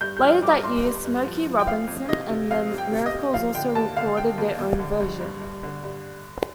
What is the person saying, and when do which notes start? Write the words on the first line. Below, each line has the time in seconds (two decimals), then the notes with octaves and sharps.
Later that year, Smokey Robinson and the Miracles also recorded their own version.
0.01 G2 G6
0.17 G6
0.21 F3 F6
0.42 G2 D6
0.63 G2 C6
0.84 G2
1.05 G2
1.26 F3
1.46 F3
1.59 G5
1.67 F2 F5
1.87 F2
2.09 C3 D#5
2.30 C3
2.51 F2 F5
2.71 G3
2.78 G5
2.92 C3
3.06 D#5
3.13 G3
3.33 F3 F5
3.54 D3 G5
3.75 D#2 A5
3.96 D3 F5
4.17 D3 G5
4.38 D#2
4.58 D#2
4.79 D3
5.00 G2
5.21 G2
5.42 G2
5.63 D3
5.84 G2